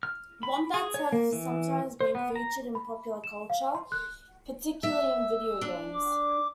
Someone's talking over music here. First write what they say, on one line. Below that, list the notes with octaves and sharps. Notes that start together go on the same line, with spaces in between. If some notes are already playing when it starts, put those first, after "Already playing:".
Wombats have sometimes been featured in popular culture, particularly in video games.
F6
B5
G#4
C#5
A#3
E3
C5
B3
A#5
B5
E7
F5
C6
F#6
E5 E6
D4
D6